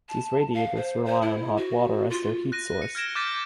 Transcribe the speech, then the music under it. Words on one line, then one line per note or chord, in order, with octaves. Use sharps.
These radiators rely on hot water as their heat source.
A5
F5
C5
C5
E4
F#4
F4
F#6 A#6 D#7
C#7 D#7
F6 G#6 A#6 D7 E7
D6 F6 G6 A6 B6 D#7
G6